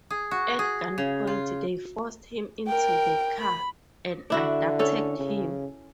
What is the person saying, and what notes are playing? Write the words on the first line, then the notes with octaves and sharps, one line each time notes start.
At gunpoint, they forced him into the car and abducted him.
G#4
F#4
G#4
C#3
F4
A#4 G5
B5
D3 D4 E4 F#4
C#4 A4
C#3